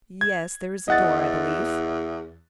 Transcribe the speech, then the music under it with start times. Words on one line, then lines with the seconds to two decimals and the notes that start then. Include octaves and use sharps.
"Yes, there is a door, I believe."
0.21 G#6
0.88 E2 D#5 F#5 A6